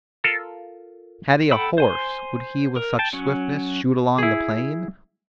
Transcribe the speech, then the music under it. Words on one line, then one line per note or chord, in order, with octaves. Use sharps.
Had he a horse, would he with such swiftness shoot along the plain?
F4 A4 A#4
A4 F#5 G5 B5 E6
C5 G#5 C6
A#4
G5 A5
F#3 C#4 F#4
E4 G#4